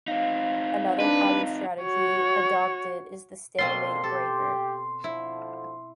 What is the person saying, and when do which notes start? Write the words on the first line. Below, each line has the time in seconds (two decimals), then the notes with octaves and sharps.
Another common strategy adopted is the "stalemate-breaker".
0.08 C4 D#4 F5
1.00 D4 B4
1.83 F#4 C#5
3.59 B2 D3 A#3 C4 F4 C6
4.04 G4 A4
5.04 F2 D3 F3 E4